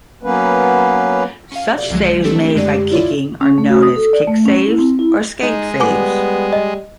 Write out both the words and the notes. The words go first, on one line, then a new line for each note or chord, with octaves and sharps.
Such saves made by kicking are known as kick saves or skate saves.
F#3 A#3 B3 C#4 B4
C#4 F5
D5
C2 D3 F3 F#3 G#3
A3 C4 D4 G4 A4
F#2 D3 G#3 G4 D5
E4 F4 C#5 D5
C#4
A3
F#4
D#6
A4
D5
A3
C#4
E4
C4
E4
G#3 D#4
G3 B3 G#5 D6
D#5